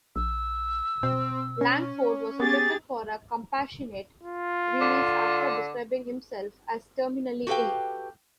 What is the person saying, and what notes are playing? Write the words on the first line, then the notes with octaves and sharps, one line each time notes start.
Langford was rejected for a compassionate release after describing himself as "terminally-ill".
A#1 E6
B2 C4
C#4
B3 G4 G#4 D6 A6
F4
D3
F#4 G4 A4 B4 F5 G5